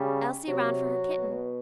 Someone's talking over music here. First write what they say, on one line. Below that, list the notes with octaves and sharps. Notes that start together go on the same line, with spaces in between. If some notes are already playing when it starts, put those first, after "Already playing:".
Elsie ran for her kitten.
Already playing: C#3 G3
C3 F#3
B2